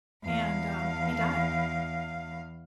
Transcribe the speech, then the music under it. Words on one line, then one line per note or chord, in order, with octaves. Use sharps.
and, um, he died.
E2 F5